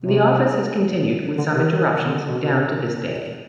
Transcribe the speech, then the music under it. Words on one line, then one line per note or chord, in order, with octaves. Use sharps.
The office has continued, with some interruptions, down to this day.
C3
D3
C3
D#3
D#3
D3
B2
B2
C3